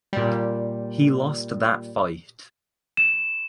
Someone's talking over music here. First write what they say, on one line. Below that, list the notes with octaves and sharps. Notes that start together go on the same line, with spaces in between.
He lost that fight.
A#2 G3
E7